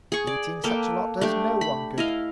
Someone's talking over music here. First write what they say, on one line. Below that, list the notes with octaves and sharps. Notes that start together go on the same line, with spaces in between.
Eating such a lot does no one good.
G#4 C#6
D5
A#3 A4 B4 G5
A3 D4 G4
B5
E4 D#5 F5